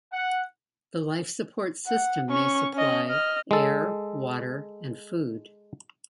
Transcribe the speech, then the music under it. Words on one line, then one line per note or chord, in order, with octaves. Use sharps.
The life support system may supply: air, water and food.
F#5
F#5
C#4 C#6
C#4 D#5
D#5 F6
G#3 A4